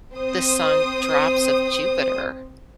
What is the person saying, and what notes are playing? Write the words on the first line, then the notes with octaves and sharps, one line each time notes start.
the song Drops of Jupiter.
C4 C5 D#6